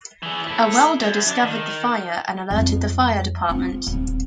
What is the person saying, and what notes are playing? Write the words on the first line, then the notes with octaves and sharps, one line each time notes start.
A welder discovered the fire, and alerted the fire department.
E3 G#4
E4 A4
F#2
D4
D#3
F2 G3
C4 F4
D#1 C4